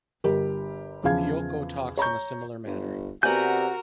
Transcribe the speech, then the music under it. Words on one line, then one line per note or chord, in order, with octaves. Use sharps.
Piyoko talks in a similar manner.
G1 G4 A#4
E2 C#3 F3 F5 G#6
C#5 A#5 C#6 G6
G1
C3 B3 F#4 A#4 D5 F#5 G#5 G6